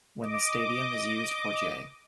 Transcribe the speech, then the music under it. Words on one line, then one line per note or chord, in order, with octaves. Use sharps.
When the stadium is used for J.
D#5 D6